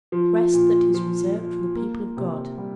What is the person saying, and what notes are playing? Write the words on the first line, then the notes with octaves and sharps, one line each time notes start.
"Rest that is reserved for the people of God."
F3
A#2
F3
F3
A#3
C3
G3